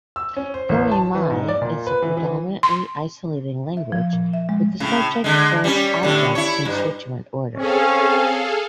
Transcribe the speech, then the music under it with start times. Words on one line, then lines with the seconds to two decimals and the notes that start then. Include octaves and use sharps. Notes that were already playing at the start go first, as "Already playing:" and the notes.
Goemai is a predominantly isolating language with the subject-verb-object constituent order.
0.16 E6
0.37 C#4
0.54 C5
0.69 A1
0.91 A5
1.15 E3
1.30 G#2
1.48 D5
1.62 A#2
1.87 B4
2.02 E3
2.17 E3
2.63 C6
3.77 E5
3.92 F3
4.13 A#2
4.33 E5
4.49 G#3
4.80 A2 C#3
5.24 D3 G#3
5.64 G3 C#4
6.03 A2 D3
6.35 E4 C#5
6.65 G2
7.57 C4 C#4 G#4 A4 F5